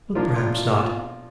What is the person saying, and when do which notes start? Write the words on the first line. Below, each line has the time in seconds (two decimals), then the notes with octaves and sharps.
But perhaps not.
0.15 F3 A#3 D4 F4
0.36 F4
0.57 F4
0.78 F4